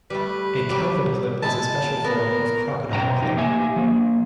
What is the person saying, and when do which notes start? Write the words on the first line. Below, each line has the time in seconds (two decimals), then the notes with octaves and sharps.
A Kelvin clip is a special form of crocodile clip.
0.10 G3 A3 B4
0.69 F#3 G3 G4
1.43 G#3 E4 A5
1.83 A#2
2.04 B3 A#4
2.93 B2 G5 A#5
3.21 C3 F3 D#4 G4
3.36 A#3 G4 E5 G#5
3.76 F3 A#3